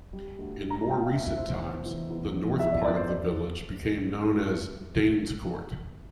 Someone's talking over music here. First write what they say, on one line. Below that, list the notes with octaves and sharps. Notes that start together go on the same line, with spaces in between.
In more recent times, the north part of the village became known as "Danescourt".
G3
D2
D2
A#5
A5
D2 G5
F5
F1 E5
E5
F1 C5
C5
E2
E3
E2
F3
E2 E5
D5
E2 D5
C5
D5